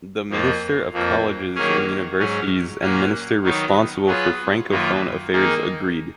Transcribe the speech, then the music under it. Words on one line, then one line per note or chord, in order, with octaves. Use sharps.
The Minister of Colleges and Universities and Minister Responsible for Francophone Affairs agreed.
F2 F3 A#3 F4
F2 F3 A#3
D#3 F#3 A#3 C#4 G#4
G#2 F#3 C#4 G#4
A#2 F#3 A#3 C#4 F#4
D#3 F#3 B3 D#4
F#3 B3 F4 G#4 B4
F#2 D#3 A#3 F4 B4
D#3 A#3 D#4 G#4